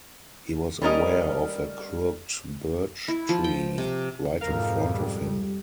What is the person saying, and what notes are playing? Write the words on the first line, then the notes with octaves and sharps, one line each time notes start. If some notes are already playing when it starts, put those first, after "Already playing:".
He was aware of a crooked birch tree right in front of him.
G3 C#4 A#4 D#5
E4
F3
G5
C3
F2 G#2 B2 A#4 F5
G3